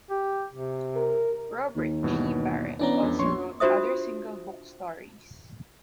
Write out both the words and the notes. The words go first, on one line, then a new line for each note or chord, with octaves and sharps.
Robert G. Barrett also wrote other single book stories.
G4
C3
A#4
D#2
G2 B2 E3
E3 B3 C#4 D4 D5 A#5
F2
A#1 C#5 C6 C#6
D4 F4 F#4 C5 E5 D#6